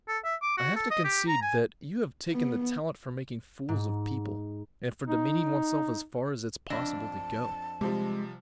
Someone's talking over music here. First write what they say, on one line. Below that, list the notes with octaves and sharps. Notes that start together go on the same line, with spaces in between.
I have to concede that you have taken the talent for making fools of people and for demeaning oneself as far as it's possible to go.
A4
E5
D6
F#4
A4
D#5
G4
A#5
G#5
B3
G#2
D#4
F2 D4 D#5 A5
C3 F3 G3 G#3